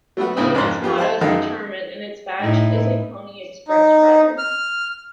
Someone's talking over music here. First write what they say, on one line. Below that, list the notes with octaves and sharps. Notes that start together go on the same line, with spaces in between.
The unit's motto is "Determined" and its badge is a Pony Express Rider.
F#3 A3 B3 F#4
C#2 A2 C#3 C4 C5 D#6
F2 G#2 A#4 C6
F3 B3 F4 G4 G#4
C5 F5 G5 A5 C6
F#2 D#3 G#3 D#4 A4 F5
A2 D#4 E4
D#4
F6